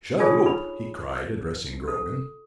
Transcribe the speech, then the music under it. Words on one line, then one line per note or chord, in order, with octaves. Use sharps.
"Shut oop!" he cried, addressing Grogan.
D4 D#4 F4 G#4 A4 C#5
B5
A4